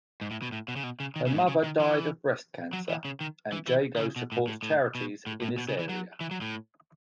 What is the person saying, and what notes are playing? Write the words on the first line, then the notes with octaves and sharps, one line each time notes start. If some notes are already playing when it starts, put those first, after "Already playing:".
Her mother died of breast cancer, and Jago supports charities in this area.
G#2
A2
B2
A2
B2
C#3
B2
C#3
D#3
C#3
G#2
A2
C#3
D#3
E3
F#3
E3
C#3
D#3
E3
E3
D#3
C#3
B2
A2
A2
A2
B2
A2
A2
B2
C#3
E3
F#3
E3
F#3
A2